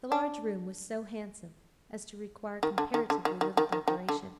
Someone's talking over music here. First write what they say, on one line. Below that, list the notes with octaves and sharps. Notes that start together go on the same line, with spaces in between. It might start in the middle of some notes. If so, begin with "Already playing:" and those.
The large room was so handsome as to require comparatively little decoration.
D4
D#3
D3
D#3
D3
D#3
D#3
D#3
D#3
D#3
D3